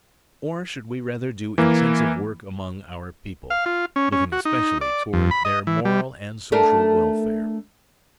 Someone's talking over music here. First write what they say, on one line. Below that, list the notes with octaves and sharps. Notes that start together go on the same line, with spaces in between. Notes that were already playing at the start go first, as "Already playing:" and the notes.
Or should we rather do intensive work among our people, looking especially toward their moral and social welfare?
E3 A#3
F5
F4
C#4
C#4
F#4
D#4
D5
F2
B5
D#5
E3
G3
A3 D4 A#4